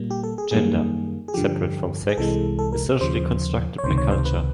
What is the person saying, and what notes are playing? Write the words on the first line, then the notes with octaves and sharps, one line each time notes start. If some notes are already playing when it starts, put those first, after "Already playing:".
Gender, separate from sex, is socially constructed by culture.
Already playing: A#2 G3 A#3
G4
A4
G#4
F#2 D#3 G3 A#3 G#4
G#4
G2 D3 F3 G4
G#4
C2 C3 E3 G#3 A4
A4
A#4
D#2 C#3 F3 C5
C#5
C#2 C3 D#3 C5
C#5
C5
B4